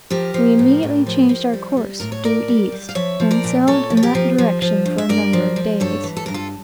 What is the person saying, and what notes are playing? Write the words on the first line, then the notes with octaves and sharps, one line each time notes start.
We immediately changed our course due east, and sailed in that direction for a number of days.
F3 G4 A#4
F3
A2
A2
F3
F3
G3
G3
A2 A#4
C#5
A2 A#4 D5
G3
G3
F5
F3 C#5 E5
F3
A#4 D5
A#2
A#2 A4 C#5
F3
C#5
G4 A#4
F3
F3
F3
G2
E5
G2 A#4 D5
F3
F3
G2 A4 C#5
E3
A4
G2 A#4
F4 A4